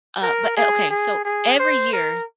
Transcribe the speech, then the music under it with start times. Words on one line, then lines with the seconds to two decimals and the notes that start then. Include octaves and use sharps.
uh, but o okay, so, every year,
0.23 A#4
0.57 G#4
0.90 G#4
1.25 G#4
1.59 C5
1.93 A#4